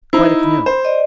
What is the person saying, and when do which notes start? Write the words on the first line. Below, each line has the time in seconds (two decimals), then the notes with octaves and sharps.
"Quite a canoe."
0.13 D#4 E4 C5 B5 E6
0.43 B5
0.66 C5
0.85 D5 D#5